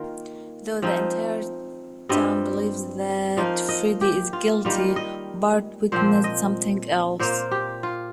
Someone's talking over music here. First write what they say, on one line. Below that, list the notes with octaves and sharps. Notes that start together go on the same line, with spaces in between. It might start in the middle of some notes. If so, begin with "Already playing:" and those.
Though the entire town believes that Freddy is guilty, Bart witnessed something else.
Already playing: D#3 A#3 F4
F3 C4 D#4
G2 G3 C4 F4 D#5
F3 A#3 D#4 F4
D#5
G4
F4
D#3 G3 A#3 F4
D#5
A#2 F3 C4 C5
D#5
A#2 A#3 F4 C5
G4
F4